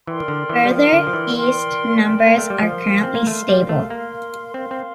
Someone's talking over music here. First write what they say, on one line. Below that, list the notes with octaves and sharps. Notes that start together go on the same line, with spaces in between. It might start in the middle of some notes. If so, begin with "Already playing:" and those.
Further east, numbers are currently stable.
E3 A#4 D5 G5 C6
D3
E3
G3
F3 A#4 D5 G5 C6
D3
F3
E3
A#4 D5 G5 C6
A#4 D5 G5 C6
A#3
A3
G3
F3 A#4 F5 C6
C4
A#3
A3 A#4 F5 C6
G3
A3
A#3 A#4 F5 C6
C4 A#4 F5 C6
C4